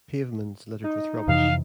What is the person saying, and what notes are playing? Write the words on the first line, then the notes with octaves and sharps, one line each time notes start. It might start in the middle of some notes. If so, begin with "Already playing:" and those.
Pavements littered with rubbish.
D#4
F2 C3 E3 F5